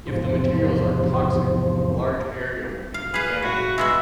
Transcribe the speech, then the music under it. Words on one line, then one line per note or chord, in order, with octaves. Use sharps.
If the materials are toxic, a large area will be contaminated.
E2 G#2 C3 F3
F5
G#4 B4 F5
A2 F#4
G#3 B3 F#4 E5